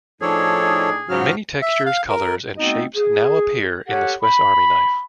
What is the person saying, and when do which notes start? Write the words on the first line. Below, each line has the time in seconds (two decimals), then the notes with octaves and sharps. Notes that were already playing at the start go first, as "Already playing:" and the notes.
Many textures, colors and shapes now appear in the Swiss Army Knife.
0.22 A2 F3 D4 D#4 G#4 A4 C#5
1.09 G#2 C#3 F3 F#3 F#4 F6
1.62 E5
1.86 F5
2.09 A#4
2.58 A3 B3 C4 D#4 F#4 D#5
2.96 G#4
3.88 G4 A4 C#5 F#5
4.23 B5